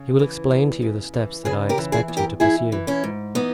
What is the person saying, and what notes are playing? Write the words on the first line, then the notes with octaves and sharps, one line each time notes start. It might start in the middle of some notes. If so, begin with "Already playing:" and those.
He will explain to you the steps that I expect you to pursue.
Already playing: C#3
E3
E2
C#3
E3
C#3 G#4 B4
G4 A#4
E3
E4 G#4
E2
G4 A#4
E3 E4 G#4
E3
C#4 E4
G#2
E3 B3 D#4